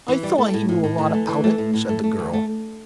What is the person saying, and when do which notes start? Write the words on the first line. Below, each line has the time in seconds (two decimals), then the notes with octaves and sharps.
"I thought he knew a lot about it," said the girl.
0.08 E3
0.23 G3
0.38 A3
0.54 A2
0.69 A2
0.84 A2
0.98 E3
1.13 A3
1.28 E3
1.44 A3
1.58 A2
1.74 A2
1.89 A3
2.04 A3
2.19 D2
2.33 A3